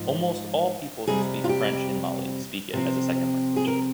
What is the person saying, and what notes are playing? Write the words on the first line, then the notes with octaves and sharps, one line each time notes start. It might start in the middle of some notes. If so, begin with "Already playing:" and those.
Almost all people who speak French in Mali speak it as a second language.
Already playing: G#2 F3
F2 C3 G3 C4 G#4
F4
G4
C3 F3 C4
G#4
A#4